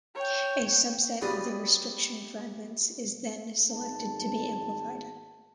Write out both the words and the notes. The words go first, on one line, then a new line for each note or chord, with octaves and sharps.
A subset of the restriction fragments is then selected to be amplified.
C#5 G5
G3 B3 C#4 F#4 G#4 B4
G#1 A5